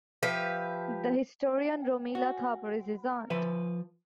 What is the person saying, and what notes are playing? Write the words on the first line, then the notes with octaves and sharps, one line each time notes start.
The historian Romila Thapar is his aunt.
F3 G4 B4 E5
F#4
F3 B4 E5